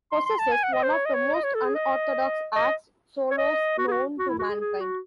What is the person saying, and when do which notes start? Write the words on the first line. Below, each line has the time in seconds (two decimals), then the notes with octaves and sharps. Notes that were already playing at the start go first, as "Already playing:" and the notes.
Possesses one of the most unorthodox 'axe' solos known to mankind.
0.12 C6
0.26 C6
0.39 A5
0.52 G#5
0.63 F#5
0.73 D#5
0.83 C5
0.93 C#5
1.05 D#5
1.14 C#5
1.34 D#5
1.44 C#5
1.54 A4
1.65 G#4
1.75 D#5
2.56 D#5
3.31 C#5
3.38 D#5
3.78 F#4
3.88 G#4
3.91 F#4
4.19 F#4
4.29 E4
4.39 F#4
4.50 G#4
4.60 G#4
4.80 F#4